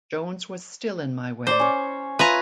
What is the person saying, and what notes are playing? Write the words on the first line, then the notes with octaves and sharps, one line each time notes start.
Jones was still in my way.
C5 D5 A#5 D6
C#4 C#5
F4 B4 E5 G#5 A#5